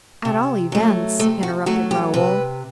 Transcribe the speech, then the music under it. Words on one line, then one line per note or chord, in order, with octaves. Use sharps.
"At all events--" interrupted Raoul.
C3
F#3 A3
C3 A3
F#4
F#3 A3 F#4
G4
C3 B4